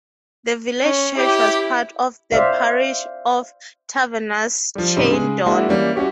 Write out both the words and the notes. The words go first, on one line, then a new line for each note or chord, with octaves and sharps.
The village church was part of the parish of Tavannes-Chaindon.
C#4
E4 G4
C5 D5 E5 F5
F3 G3
A2 C#3 G3 C4 D#4 G4
C#3 G#3 G#4
G#3 A#3 D4 E4 F#4
E3 G3 A#3 C#4
C#4 E4 F#4 G4 C#5